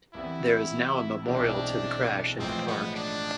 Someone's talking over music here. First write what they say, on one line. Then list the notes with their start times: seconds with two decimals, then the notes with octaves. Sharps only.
There is now a memorial to the crash in the park.
0.14 C2 C3 E3 B3 E4
1.26 B1 B2 G#3 C4 D4 E4
2.39 A1 A2 F3 G#3 C4
2.67 B3
2.96 D4